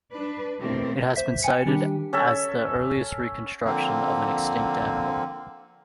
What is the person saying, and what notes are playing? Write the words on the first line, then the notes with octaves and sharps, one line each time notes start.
It has been cited as the earliest reconstruction of an extinct animal.
D4 B4
B2 E3 A3 C4 G4 A#4
C5 E5 B6
G5 G#5 C#7
D#3 G3 D4 G4
C#4 A4 E5
D3 F3 A#3 C4